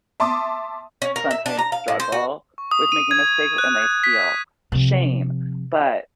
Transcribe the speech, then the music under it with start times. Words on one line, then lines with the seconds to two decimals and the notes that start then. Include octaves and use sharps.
sometimes struggle with making mistakes, and they feel shame, but
0.20 E5 A5 C6 D6 D#6
1.02 C#4
1.16 A#4
1.31 E5
1.46 D4
1.59 A#5
1.72 F5
1.88 A2
2.00 C5
2.12 F#4
2.58 C#6
2.71 D#6
2.92 D#7
3.11 G#6
3.58 F#6
3.82 G#6
4.04 B6
4.72 C3 F3